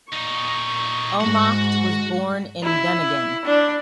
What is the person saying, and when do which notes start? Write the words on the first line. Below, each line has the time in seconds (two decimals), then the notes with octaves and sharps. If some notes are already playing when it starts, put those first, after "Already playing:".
Ohmacht was born in Dunningen.
0.13 A#2 D#4 C#6
1.21 G#2 F#4 F#5
2.63 E4
3.46 D4